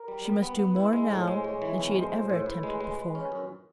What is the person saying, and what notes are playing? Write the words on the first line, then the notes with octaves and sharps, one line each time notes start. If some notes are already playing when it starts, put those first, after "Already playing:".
She must do more now than she had ever attempted before.
Already playing: A#4
G3
G3
B3 B4
B3
E4
G#3 C5
A2
G#3
G#3 C#5
E3
B1
G#3 C5
A2
A2
A2 B4
G#3
G#3
G#3
C#4
F#2